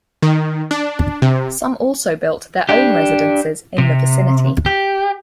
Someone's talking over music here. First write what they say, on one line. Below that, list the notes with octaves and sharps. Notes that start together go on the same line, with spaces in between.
Some also built their own residences in the vicinity.
D#3
D4
C3
D4 G4
C3
G4